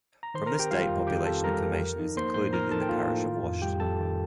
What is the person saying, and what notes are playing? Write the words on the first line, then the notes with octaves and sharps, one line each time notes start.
From this date population information is included in the parish of Whashton.
A#5
D#3 C5 C6
A#4 A#5
C4
G4 G5
G3 F4 F5
F2
D#3 G4 G5
C4 A4 A5
G3 A#4 A#5
F2
F3
D#4
A#3 C5 C6
A2 C5 C6
F3 A#4 A#5
D#4 A4 A5
G5
A#3 F4 F5
A2
D#3
F2
G3 G4 G5
F2 A4 A5
D#3